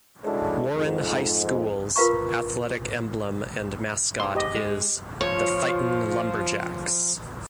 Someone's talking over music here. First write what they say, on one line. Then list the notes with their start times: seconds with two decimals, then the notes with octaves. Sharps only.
Warren High School's athletic emblem and mascot is The Fightin' Lumberjacks.
0.24 G#3 C#4 D4 E4 F#4 A4
0.75 F2 G#2
1.96 F4 A#4 B4 F5 A#5 C#6
4.20 G#2 C6
4.35 G4 D#5
4.56 G#3
5.21 F3 F4 C#5